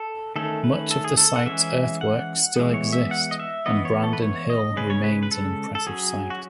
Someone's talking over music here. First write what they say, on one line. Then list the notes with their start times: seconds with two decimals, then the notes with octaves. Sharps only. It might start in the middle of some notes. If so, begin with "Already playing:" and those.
Much of the site's earthworks still exist and Brandon Hill remains an impressive sight.
Already playing: A4
0.36 D#3 A3 C#4 A4
0.64 B4
0.91 A4
1.04 G#4
1.17 A4
1.36 F#5
1.46 E3 G#3 C#4 E5
2.01 F#5
2.56 E3 G#3 B3
2.74 C#5
2.93 E5
3.11 F#5
3.31 D#5
3.39 E5
3.66 E3 B3 D#5
3.85 C#5
4.03 A4
4.13 B4
4.22 C#5
4.50 D#5
4.77 C#3 G#3 C#4 B4
4.90 C#5
5.04 B4
5.23 B4
5.31 A4
5.75 A4
5.87 F#3 C#4 G#4
6.30 F#4